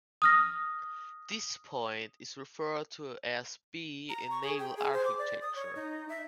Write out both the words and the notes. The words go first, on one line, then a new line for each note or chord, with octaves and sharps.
This point is referred to as B in naval architecture.
D#6 F6 A#6
A#5
C#6
G#4
G5
G#4
C5
D6
D5
D#6
C#5
D#4
E5